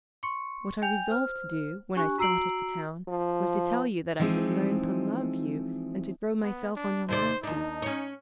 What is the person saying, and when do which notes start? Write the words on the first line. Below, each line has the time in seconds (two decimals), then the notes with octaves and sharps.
What I resolved to do, when I started for town, was to tell you that I had learned to love you and to throw myself on your mercy.
0.23 C6 C#6 C#7
0.82 G5 G#5 G6 F7
1.10 C5 F6
1.96 D4 G4 G#5 C#6 F#6
2.18 F#4 A#5 E6 C7 D7 F#7
3.08 F3
4.19 E3 F3 G#3 C4 D#4
6.42 B3
6.76 D4
7.09 D#2 C3 C5 D5
7.43 D#2 D4 D#4
7.82 C#4 C#5